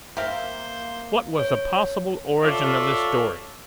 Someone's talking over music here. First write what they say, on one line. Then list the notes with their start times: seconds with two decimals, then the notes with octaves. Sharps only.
What was the possible origin of this story?
0.17 A#3 C4 A#4 C5 E5 F5
1.39 C#5
2.43 F4 A4 C#5 D5 E5 F5